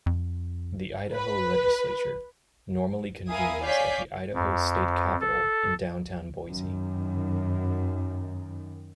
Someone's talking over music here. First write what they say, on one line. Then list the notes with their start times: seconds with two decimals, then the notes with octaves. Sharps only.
The Idaho Legislature normally convenes at the Idaho State Capitol in downtown Boise.
0.06 F2
1.14 B4
3.30 E4 A#4 F5 G#5 D#6
3.64 C#5 D5 F5 G#5 G6 B6
4.34 F2
5.20 A4
6.47 F#2 D#3